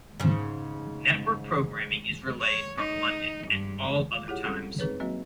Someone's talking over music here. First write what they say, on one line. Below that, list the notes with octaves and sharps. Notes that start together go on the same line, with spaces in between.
Network programming is relayed from London at all other times.
G#2 C#3
C#5
D#4
G2
F4 F5 D6
E4 F4 G4 G#4 C#5 F#5
G3 G#3 C4 C#4 A4
C4 D#4 G#4 B4 C#5
F#3 A#3 C4 F#4 D#5